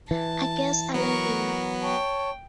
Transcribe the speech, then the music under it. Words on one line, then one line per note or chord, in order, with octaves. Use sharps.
I guess I love you.
E3 A5
F#3 B3 A#4 C#6
C#5 G5 A5